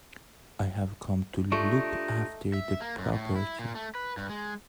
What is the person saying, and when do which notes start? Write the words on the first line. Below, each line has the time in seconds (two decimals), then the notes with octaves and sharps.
I have come to look after the property.
1.52 A3 D4 D#4 F4 G4 C#6
2.53 E5
2.81 A#3
2.98 F#2
3.13 A2
3.36 E4
3.59 A#2
3.75 A3
3.95 B4
4.17 G2
4.29 G#3